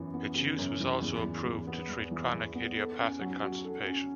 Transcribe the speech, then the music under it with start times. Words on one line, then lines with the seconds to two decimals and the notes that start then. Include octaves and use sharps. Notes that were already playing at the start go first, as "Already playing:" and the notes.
Its use was also approved to treat chronic idiopathic constipation.
Already playing: F#2 E3 B3
0.14 B3
0.36 C#3
0.58 F#2
0.80 E3
1.02 E2
1.24 E3
1.46 E2
1.67 B3
1.89 E2
2.11 E3
2.33 E2
2.55 B3
2.77 A4
2.99 C#4
3.21 F#3
3.42 F#4
3.65 A4
3.86 C#4